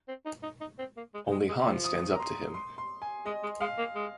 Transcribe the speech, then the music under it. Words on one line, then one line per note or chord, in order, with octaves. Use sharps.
Only Hahn stands up to him.
C4
D#4
D#4
D#4
C4
A#3
G#3
G#3
G#3
F3
D#6
A#5
C6
C6
C6
G#5
G#3 D#5
G#3
G#3 F5
A#3
G#3